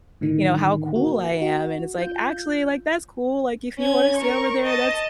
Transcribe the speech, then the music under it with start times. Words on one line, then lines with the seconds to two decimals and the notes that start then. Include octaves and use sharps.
you know, how cool I am, and it's like, "Actually, like, that's cool, like, if you wanna stay over there, that's"
0.21 A2 D3 D#3
0.94 A#3 F#4
1.42 F#4
1.98 F4 G6
3.78 C#4 G#6
4.17 A#4 C#6
4.63 D#5 A5